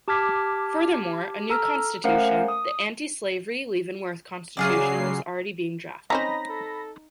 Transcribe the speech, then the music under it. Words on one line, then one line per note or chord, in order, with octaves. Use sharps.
Furthermore, a new constitution, the anti-slavery Leavenworth Constitution, was already being drafted.
G4 A5 D6 F6 G#6 B6
A4 A#5 E6 F6
A3 C#4 A#4 C5 F5 F#5
D#6
C#3 F#3 F4 G#4 D5 C7
C4 C#4 D#4 C5 D#5 A#5 B5 A#6
A4